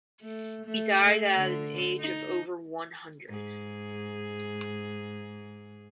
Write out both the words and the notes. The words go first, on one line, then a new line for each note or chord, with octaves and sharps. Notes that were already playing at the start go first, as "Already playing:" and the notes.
He died at an age of over one hundred.
A3
A3
D3
D#4
G#2 G#4